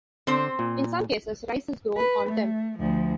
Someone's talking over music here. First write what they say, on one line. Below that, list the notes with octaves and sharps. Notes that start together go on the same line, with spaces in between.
In some cases, rice is grown on them.
D3 C4 C5
A#2
B4
A3
D2 F3